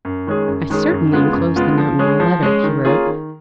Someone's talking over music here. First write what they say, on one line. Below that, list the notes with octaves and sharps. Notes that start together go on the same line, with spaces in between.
"I certainly enclosed the note in my letter," he wrote.
F#2
D#3 G#3 C#4 G#4
F#2
D#3 G#3 C#4 G#4
F#2
C#3 G#3 B3 F4
F#2
C#3 G#3 B3 F4
F3
G#3 C#4 G#4
F3
G#3 C#4 G#4
D#3
A#3 C#4 F4 G#4
D#3